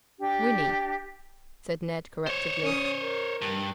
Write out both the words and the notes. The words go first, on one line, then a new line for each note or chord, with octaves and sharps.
"Whinny," said Ned correctively.
D4 G4 G5
C5 C#5
C#4 D#6
A#4
G2